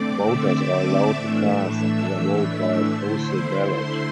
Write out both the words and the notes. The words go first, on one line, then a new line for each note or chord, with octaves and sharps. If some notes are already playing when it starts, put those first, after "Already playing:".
Voters are allowed to cast their vote by postal ballot.
Already playing: D3 A3 C4 D5 D6
E5 E6
A2 E3 A3 D4
D3 A3 E4 C5 C6